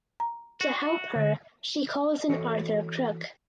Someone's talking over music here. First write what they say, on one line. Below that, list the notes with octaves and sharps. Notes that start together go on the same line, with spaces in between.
To help her she calls in Arthur Crook.
A#5
F#4
D3
E3 F#4 A4 C#5 D#5 E5